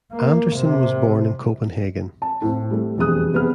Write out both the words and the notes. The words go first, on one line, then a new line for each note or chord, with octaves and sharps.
Andersen was born in Copenhagen.
A#3
C3
A5
A2 C4
G3 A3
E1 F2 G3 G#4 D#6 F#6
C3 B3 G#4 F6